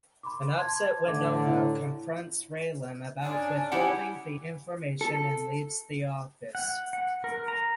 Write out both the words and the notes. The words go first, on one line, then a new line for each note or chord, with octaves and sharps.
An upset Winona confronts Raylan about withholding the information and leaves the office.
B5 C6 D6
A5 C6 G#6
A2 D3 E5 D6
E4
G#2 C#4 D4 G#5
E4 G4 F#5 G#5
A4
F#5
F#5
A#4
A#5